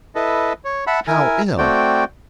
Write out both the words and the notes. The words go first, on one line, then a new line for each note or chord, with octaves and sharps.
"How ill?"
E4 A4 B4 D#5
C#5
E5 F#5 A5 B5
E4 A#4 G#5
A3 C4 F#4 D5 G5